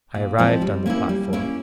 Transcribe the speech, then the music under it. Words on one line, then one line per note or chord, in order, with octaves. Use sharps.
I arrived on the platform.
A#2
F3 G#3 C4 E4
G3
A#3 C#4 E4
G3
A#3 C#4 E4